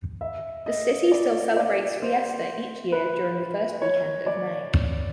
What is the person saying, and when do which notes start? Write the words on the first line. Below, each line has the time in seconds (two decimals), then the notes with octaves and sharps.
The city still celebrates Fiesta each year during the first weekend of May.
0.21 E5
0.66 D#5
1.12 D5
1.57 D5
2.02 C5
2.92 B4
3.82 C#5
4.26 D5